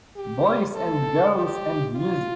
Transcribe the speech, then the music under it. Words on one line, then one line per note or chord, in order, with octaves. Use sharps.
Boys and girls and music.
G4
A4
G4
F4